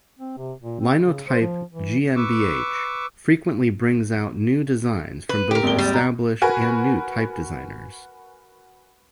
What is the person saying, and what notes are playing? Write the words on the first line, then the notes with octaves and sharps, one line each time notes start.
Linotype GmbH frequently brings out new designs from both established and new type designers.
C4
C3
A#2
C4
C#3
C5
F3
E3
B4 C#6 D6 E6
B4
G4 A#4
G#1 D#2 G7
G3
A#5
F#4 A#4 B4 G#5